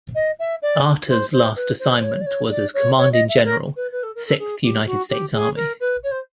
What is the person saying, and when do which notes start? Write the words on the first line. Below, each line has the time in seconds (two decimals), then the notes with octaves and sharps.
Arter's last assignment was as Commanding General, Sixth United States Army.
0.15 D#5
0.39 E5
0.62 D5
1.09 C5
1.33 C5
1.56 B4
1.80 C5
1.99 C5
2.04 C#5
2.21 D5
2.26 C#5
2.51 D5
2.74 C#5
2.98 C#5
3.13 D#5
3.29 E5
3.45 A#4
3.76 B4
3.92 B4
4.03 A4
4.15 A#4
4.27 A4
4.39 G#4
4.63 G4
4.86 F#4
5.09 G4
5.33 G#4
5.56 A#4
5.80 B4
6.03 C#5
6.11 C5